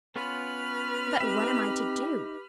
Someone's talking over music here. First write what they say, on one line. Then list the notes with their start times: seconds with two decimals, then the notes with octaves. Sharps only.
"But what am I to do?"
0.16 B3 C#4 F4 B4 B5 F6
1.20 C4 D#4 G4 E5